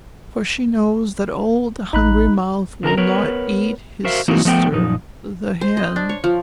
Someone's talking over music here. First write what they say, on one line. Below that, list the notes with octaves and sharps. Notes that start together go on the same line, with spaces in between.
For she knows that old Hungry-Mouth will not eat his Sister, the Hen.
A1 D#4 B5 F#6
D3 A#4 A5 A#5
B3 A#4 B4 C#5
F#4 A#4 C5 E5 F5
E3 A#3 C4 D#4 E4 F#4
F3 A3 B3 E5 G5
F#2 A#2 F3 D#4
C5
D#5
D4
C#5
F3